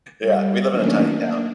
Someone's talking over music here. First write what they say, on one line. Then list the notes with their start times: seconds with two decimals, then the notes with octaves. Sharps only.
yeah, we live in a tiny town.
0.20 G3
0.69 D#3 F#3 A3 A#3 C#4 D4
1.15 A#3 D4